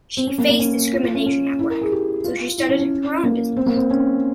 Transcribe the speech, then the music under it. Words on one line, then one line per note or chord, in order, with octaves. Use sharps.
She faced discrimination at work, so she started her own business.
C4
C#4
A#3
A#3
C#4
F4
F4
C#4
C#4
E4
A#4
G#4
G4
F4
E4
C#4
C#4
A#3
C4
A#3
C4
C#4